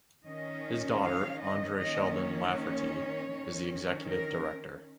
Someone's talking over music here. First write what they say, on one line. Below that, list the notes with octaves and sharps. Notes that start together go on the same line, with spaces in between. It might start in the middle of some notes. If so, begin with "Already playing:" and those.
His daughter, Andrea Sheldon Lafferty, is the executive director.
D#3 C#4 D#5
F5
D#5
D#3 A#3 C#4 D#5
C#5
D#3 C#4
A#4